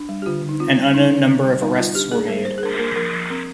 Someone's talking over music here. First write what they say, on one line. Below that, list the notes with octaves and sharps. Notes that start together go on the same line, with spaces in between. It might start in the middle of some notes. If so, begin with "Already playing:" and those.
An unknown number of arrests were made.
Already playing: D4
G3
G4
D3 F4
D3
D#4
C4 F4
G3
D3 D#4
D3
C4
G3
G3 D#4
G3 F4
D4 G4
A#3 G#4
G3 A#4
G3 C5
G#4
D4 A#4
A#3 A#4
F3 A#4
F3
C4 A#4